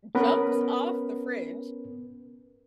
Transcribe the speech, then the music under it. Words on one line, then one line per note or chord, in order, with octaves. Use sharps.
jumps off the fridge,
B3 C#4 A#4 B4